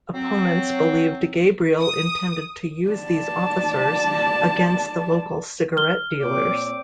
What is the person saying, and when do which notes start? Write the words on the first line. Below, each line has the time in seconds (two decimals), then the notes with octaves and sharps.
Opponents believed Gabriel intended to use these officers against the local cigarette dealers.
0.13 F#3 C4
1.80 D#6
2.89 D5 A5
5.77 F6 G7
6.21 A#2 C4 C#5 D5 D6